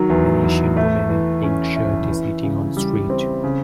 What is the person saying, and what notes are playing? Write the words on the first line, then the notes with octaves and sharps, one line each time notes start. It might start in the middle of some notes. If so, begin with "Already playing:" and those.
An asian woman in pink shirt is eating on the street.
Already playing: D#3 F#3
E2
E2
A3
E3
C#4
E4
E3
C#3
G3
C4
C#3